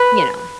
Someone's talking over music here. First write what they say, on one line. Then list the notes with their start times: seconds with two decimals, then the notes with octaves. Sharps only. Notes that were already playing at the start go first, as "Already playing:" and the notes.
you know
Already playing: B4